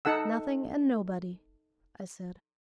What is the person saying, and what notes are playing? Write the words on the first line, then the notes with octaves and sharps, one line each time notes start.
"Nothing and nobody!" I said.
D#4 A4 F#5 E6